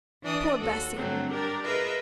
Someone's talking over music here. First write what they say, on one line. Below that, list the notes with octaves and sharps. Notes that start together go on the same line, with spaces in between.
'Poor Bessy!
E3 D4 D5 D#6
D#2 F#4 A4
G2 D3 F#3 A3 C4
D4 G4 A#4 D5
F4 G#4 A#4 B4 D#5 E5